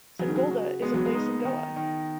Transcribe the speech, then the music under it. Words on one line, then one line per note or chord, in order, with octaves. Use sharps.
Sangolda is a place in Goa.
C#3 F#3
D#3
F#3
F#4
G#3 B3
F#3
G#3
D#4
D#3
D#3